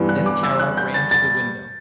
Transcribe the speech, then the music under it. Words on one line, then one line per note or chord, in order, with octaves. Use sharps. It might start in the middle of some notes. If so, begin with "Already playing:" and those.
Then Tara ran to the window.
Already playing: G2 E3 B3
F#6
D6
E6
F#6
G6
A6
A6